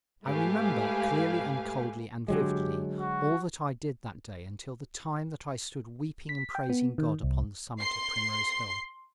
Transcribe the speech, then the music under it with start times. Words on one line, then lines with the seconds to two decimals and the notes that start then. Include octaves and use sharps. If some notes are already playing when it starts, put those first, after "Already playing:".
I remember, clearly and coldly and vividly, all that I did that day until the time that I stood weeping and praising God upon the summit of Primrose Hill.
0.25 G#2 A3 G4 B4 F5 G#5
2.28 D3 F#3 G#3 G4
3.00 F#4
6.29 B6
6.55 G5
6.69 B3
6.98 D#3
7.23 C2
7.80 C6 C7